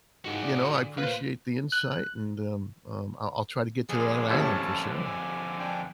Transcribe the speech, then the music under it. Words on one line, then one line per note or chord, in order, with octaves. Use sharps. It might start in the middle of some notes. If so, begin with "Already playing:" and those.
you know, I appreciate the insight, and, um, um, I'll I'll try to get to that island for sure.
G#2 D#4 F#4 G#4
A2 C#3 D5
D3
A#2 B4 C5 F5
F#6
F2 D3 G#4
D#2 A2 C#3 C#4 A5
G#5
D4 G5 G#5